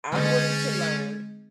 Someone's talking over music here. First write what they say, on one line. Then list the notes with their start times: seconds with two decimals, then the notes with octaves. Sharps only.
I'm willing to learn,
0.12 D3 G3 G#3 C4 C#4 D#4